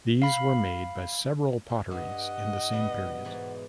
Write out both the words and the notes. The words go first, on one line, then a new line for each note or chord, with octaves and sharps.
These were made by several potteries in the same period.
F5 B5
G2 D#5 F#5
B2 G3
G#2 E3 D5